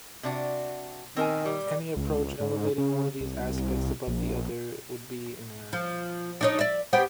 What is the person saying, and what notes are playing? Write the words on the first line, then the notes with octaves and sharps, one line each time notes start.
Any approach elevating one of these aspects above the other would be in error.
C3 D4 F#4
D#3 C4 A#4 G#5
G3
C#2
G#2
C#3
C2
A#1
F3
D4 D#4 C#5
D5 E5
B3 G4 C5